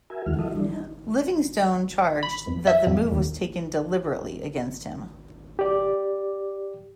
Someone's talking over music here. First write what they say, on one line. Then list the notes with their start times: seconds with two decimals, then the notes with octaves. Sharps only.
Livingstone charged that the move was taken deliberately against him.
0.10 F#4 A#4 E5 G#5
0.26 D#2 D#3 G#3 E4 F#4 F6
0.39 E3 F3 F#4 A4 D#5 E5
0.54 E3 G3 D4
0.69 D#4
2.23 B5
2.47 F2
2.67 E5
2.87 F2
3.11 D#2
5.59 G4 D5